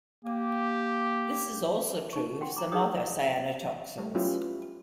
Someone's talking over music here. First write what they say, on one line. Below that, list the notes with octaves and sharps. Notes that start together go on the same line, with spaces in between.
This is also true of some other cyanotoxins.
A#3 G4
D#4 C#6
F#5 G5 C6
A#5 D6
D#4 G#4 B4 C#5 G5 D#6
G3 A3
F#3 B3 C#4 E4 F4 G4